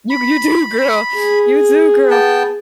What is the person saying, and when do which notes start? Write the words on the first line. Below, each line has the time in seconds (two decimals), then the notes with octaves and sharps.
You d you do, girl. You do, girl.
0.10 B5
1.16 G#4
2.10 B3 G5 A5